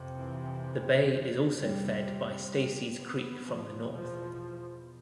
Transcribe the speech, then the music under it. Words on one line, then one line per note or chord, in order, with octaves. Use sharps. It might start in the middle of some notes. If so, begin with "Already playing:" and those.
The bay is also fed by Stacy's Creek from the north.
Already playing: F2 C3
E3
F2 C3 G3
B3
E2 B2 F3
F3